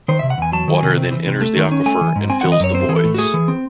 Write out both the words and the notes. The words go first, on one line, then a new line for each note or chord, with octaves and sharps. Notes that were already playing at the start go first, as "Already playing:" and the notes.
Water then enters the aquifer and fills the voids.
D#3 C5
E5
C3
F#5
E2 G#5
F#3 A5
D#3
G#5
C3
C4
E3
C3
A3
D#3
C#4
A3 G#5
E3
G#2
C4 G#5
F#5
E3
D#5
F#2 C#5
C4 C5
E3 G#4
A4
A2
F#4
A3 G#4
E3
C4